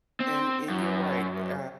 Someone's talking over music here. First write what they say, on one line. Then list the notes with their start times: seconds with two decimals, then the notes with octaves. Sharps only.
and and you're right, eh, uh,
0.20 C4
0.69 F#2